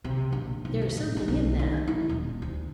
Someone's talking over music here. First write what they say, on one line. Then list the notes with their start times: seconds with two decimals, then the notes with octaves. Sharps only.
There is something in that.
0.04 C3
0.32 A#1
0.65 B1
0.81 F2
0.97 A2
1.16 D#4
1.28 B1
1.59 D#3
1.87 E4
2.09 D#1
2.42 D2